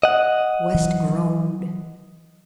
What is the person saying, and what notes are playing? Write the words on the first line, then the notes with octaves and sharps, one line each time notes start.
West groaned.
D#5 F#5
E3 F#3